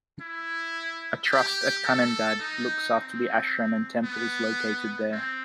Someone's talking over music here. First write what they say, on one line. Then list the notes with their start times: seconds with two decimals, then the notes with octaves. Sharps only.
A trust at Kanhangad looks after the Ashram and temples located there.
0.21 E4
1.31 G4
1.85 A4
2.40 D#4
2.94 C4
4.03 B3
5.12 C4